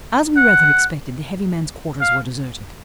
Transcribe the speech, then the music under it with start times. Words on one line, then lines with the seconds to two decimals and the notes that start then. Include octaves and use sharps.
As we rather expected, the heavy man's quarters were deserted.
0.36 F#5
2.01 F5